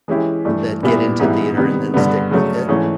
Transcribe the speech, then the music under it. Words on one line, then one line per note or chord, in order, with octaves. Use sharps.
that get into theater and then stick with it
E3 G#3 C#4 E4 G4
G2 E3 A3
A#2 G3 B3 E4
G#2 E3 G3 B3 E4
C3 D#3 G3 B3
G2 D3 G3 B3
C#3 F#3 A3
G#2 E3 A3 C#4